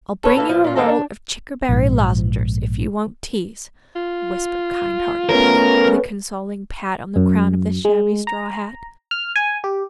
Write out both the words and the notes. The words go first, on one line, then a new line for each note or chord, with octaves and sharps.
"I'll bring you a roll of chickerberry lozengers, if you won't tease," whispered kind-hearted Billy, with a consoling pat on the crown of the shabby straw hat.
A4 B4 C#5
E3 A#3 A4
A#2 F3
A#2 F4
D#3 G#3 A#3 C4 A4 A#5
D4
A#1 G#2
F4
A3 B3 C#4 A#4
F#2
G#3
A#5
F6
G#5
G4